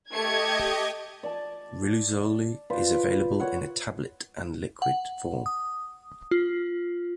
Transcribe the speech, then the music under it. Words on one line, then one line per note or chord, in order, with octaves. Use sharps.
Riluzole is available in a tablet and liquid form.
A3 G4 D#5 G#6 C#7
D5 A5
F4 B4 C5 D5
C#5 F#5
F#5
D#6
F4